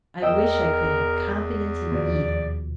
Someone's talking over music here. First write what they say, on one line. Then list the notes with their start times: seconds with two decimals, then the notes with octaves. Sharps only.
I wish I could have confidence in either.'
0.22 E2 A#4 D#5 G5 E6
1.91 D#2 B2 F3 D5